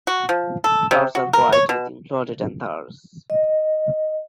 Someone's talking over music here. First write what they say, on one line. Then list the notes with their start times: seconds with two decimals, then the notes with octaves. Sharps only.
Flowers are white with included anthers.
0.07 F#4
0.29 F3
0.64 A4
0.91 C3
1.15 F#4
1.33 A#4
1.52 C#5
1.69 B2
3.30 D#5